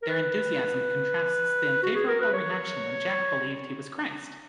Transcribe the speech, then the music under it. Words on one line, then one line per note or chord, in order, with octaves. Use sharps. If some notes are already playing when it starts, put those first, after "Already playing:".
Their enthusiasm contrasts the unfavorable reaction when Jack believed he was Christ.
A#4
B4
F#4
G#4
A#4
B4
C#5